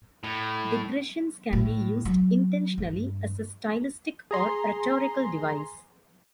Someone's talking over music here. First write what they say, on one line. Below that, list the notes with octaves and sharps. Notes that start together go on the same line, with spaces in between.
Digressions can be used intentionally as a stylistic or rhetorical device.
A2
A2
F#3
G2
G#4 A#5 C6